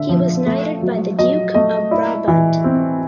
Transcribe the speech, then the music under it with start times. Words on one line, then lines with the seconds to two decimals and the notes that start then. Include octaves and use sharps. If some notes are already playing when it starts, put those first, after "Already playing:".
He was knighted by the Duke of Brabant.
Already playing: D3 E5
0.09 F3
0.46 A3
0.82 F#3
1.19 F#3 D#5
1.55 A3 D#5
1.91 E4 D5
2.28 E3
2.64 C4